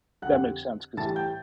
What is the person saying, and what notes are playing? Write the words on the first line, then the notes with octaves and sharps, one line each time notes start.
That makes sense 'cause
F2 D3 G3 F#5 F#6
A2 E3 G3 A5 A6
G5 G6